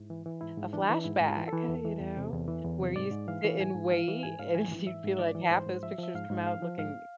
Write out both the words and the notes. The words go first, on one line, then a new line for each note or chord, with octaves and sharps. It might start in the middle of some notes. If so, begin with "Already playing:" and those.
a flashback, huh, you know, where you sit and wait, and you feel, like, half those pictures come out looking
Already playing: G#2 E4
E3
E3
G#2 E4
G#2
E3 D4
E3
G#2 E4
G#2
F4
E3
E3 A4
E2
E3
E2
C3
E2
E3
E2
C3
G#2 D5
G#2
E3 F5
E3
G#2 G#5
G#2
E3 F5
E3
G#2 G#5
G#2 F5
E3 G#5
E3
G#2 E5
G#2
E3 D5
E3
G#2 C5
G#2
F3 E5
F3 E5
G#2 F5
G#2
F3 F5
F3
G#2 F5